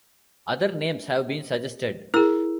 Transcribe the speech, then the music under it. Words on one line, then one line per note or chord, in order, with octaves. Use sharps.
Other names have been suggested.
E4 G#4 A#4 E6